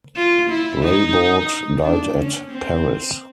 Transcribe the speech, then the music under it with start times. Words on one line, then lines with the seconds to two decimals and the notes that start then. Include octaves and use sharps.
Reybaud died at Paris.
0.16 F4
0.50 E4
0.83 D#4
1.83 D4
2.17 C#4
2.51 C4